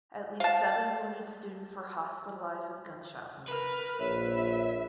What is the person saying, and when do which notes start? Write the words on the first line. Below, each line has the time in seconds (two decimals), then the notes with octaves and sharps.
At least seven wounded students were hospitalized with gunshot wounds.
0.40 F5 A5
3.48 A#4 B4 F6
3.99 A#1 C#5 E5